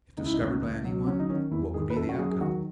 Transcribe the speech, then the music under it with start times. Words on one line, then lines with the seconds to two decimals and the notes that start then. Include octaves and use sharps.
If discovered by any one, what would be the outcome?
0.17 C#2 D#4
0.26 E4
0.34 D#4
0.40 C#2
0.62 C#2
0.85 F#3
1.07 F#3 C#4
1.20 D#4
1.29 D#3 C#4
1.51 E2 E4
1.74 D#3 G#4
1.90 B4
1.96 F#2 A4
2.09 F#4
2.19 F#3 G#4
2.31 G#4
2.41 D#3 F#4